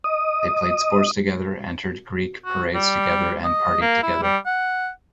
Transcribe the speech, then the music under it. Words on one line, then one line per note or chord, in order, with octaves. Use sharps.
They played sports together, entered "greek" parades together, and partied together.
D#5 D#6
F#4
G3
D#5
A#3
E4
G3
F#5